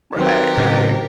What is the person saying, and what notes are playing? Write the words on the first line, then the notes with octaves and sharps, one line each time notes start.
Right, right.
D#3 F#3 C4 G4 A#4 B4
A2 C#3